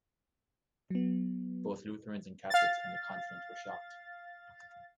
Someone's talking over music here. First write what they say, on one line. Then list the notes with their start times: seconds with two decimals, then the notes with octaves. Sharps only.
Both Lutherans and Catholics on the continent were shocked.
0.90 F#3 B3
2.50 F5 A6